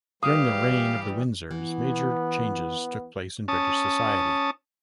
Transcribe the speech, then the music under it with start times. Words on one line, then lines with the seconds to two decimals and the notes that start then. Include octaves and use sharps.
During the reign of the Windsors, major changes took place in British society.
0.23 E3 G3 G4 F5 D#6
1.51 E3 B3
3.48 C#4 A5 D#6